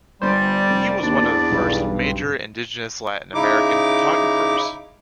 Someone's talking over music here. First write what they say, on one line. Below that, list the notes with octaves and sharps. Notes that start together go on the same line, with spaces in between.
He was one of the first major indigenous Latin American photographers.
G1 G3 C5 D5
F1
D#2 D4
E2
B1 G2 G3
C4
C#3 D#4 E4 D6